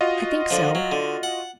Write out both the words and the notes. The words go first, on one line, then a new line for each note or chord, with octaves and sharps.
"I think so."
F4 F#4 D#5
D3 F3
F#3
D3
F#5